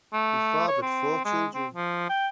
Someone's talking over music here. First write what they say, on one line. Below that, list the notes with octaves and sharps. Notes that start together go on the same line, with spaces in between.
He fathered four children.
A3
C#5
C4
G#3
C4
F3
G5